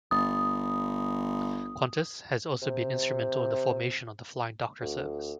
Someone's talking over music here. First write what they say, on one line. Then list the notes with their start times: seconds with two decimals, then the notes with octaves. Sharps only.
Qantas had also been instrumental in the formation of the Flying Doctor Service.
0.11 G1 D#6
2.62 C3
4.81 D2